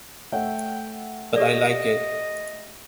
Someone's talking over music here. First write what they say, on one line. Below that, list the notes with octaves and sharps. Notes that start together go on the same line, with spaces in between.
But I Like It.
A3 C#5 E5 F#5 G5
G4 A4 D5 D#5